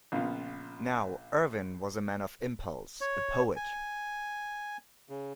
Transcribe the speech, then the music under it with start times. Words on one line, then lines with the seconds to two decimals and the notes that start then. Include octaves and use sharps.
Now Irvine was a man of impulse, a poet.
0.12 A#1 C#3 B3 F4
3.01 C#5
3.56 G#5
5.09 C#3